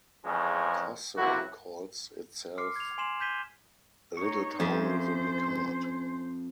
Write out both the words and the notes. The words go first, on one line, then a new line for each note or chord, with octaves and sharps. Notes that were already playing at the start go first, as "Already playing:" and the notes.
Kosse calls itself A Little Town with a Big Heart.
F2 C#3 E3 F3 G#3 C#4
C#2 C3 F#3 E4 F#4
C6 D6 F6 C7 C#7
G#6 F7
G#5 C6 C7 E7 F#7
G6 G#6 B6 D#7 G7
D#4 C#5 C#6
F2 C#4 C5 E5